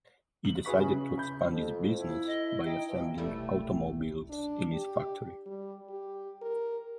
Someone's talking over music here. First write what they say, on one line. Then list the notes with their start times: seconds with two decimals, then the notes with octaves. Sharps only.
He decided to expand his business by assembling automobiles in his factory.
0.45 F#7
0.65 F#4 G#4 B4 C#6 B6
0.78 C#3
1.18 B5 G6
1.50 F2
1.96 E4
2.27 D#5
2.65 D#4 G5
2.89 E3 F3
3.18 E1 C2 G3 A3 E4
4.30 D4
4.73 G4
5.46 G3
5.90 G4
6.42 A#4